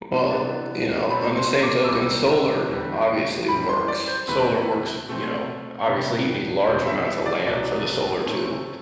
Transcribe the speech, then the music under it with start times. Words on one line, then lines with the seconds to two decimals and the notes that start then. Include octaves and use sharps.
Well, you know, on the same token, solar obviously works. Solar works, you know, obviously you need large amounts of land for the solar to
0.30 C3 E3 B3 D4
1.10 B2 F#3 A3 C4 B5
1.37 C6
1.63 D6
1.85 E6
1.89 C2 C3 G3 D6
2.69 E2 D3 G3
3.48 F#2 E3 G3 B5
3.69 C6
3.88 D5
4.08 C5
4.27 E2 D3 A3 C4 B4
5.08 B2 A3 C4
5.87 C3 G3 B3
6.67 E2 B2 G3 C4 C5
6.87 E5
7.06 E5
7.26 D5
7.47 C2 B2 F#3 B3 D5
8.26 A2 F#3 A3 C4